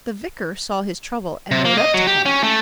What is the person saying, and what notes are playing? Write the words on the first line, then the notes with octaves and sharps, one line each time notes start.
The vicar saw his trouble, and rode up to him.
C3
A#3
D#5
F#3
G4
C#4
A3